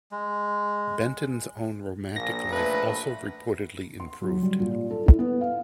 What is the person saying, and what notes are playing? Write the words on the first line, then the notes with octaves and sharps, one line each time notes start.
Benton's own romantic life also reportedly improved.
G#3
A#1 A#3 A#6
A3 B4
C6
F#3
G3
A#2
A4
E4
B3
F5